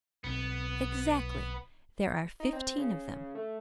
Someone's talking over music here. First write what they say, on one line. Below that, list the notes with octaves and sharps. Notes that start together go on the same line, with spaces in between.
"Exactly; there are fifteen of them."
B1 B3 C4
D#4
C4
C#3
A3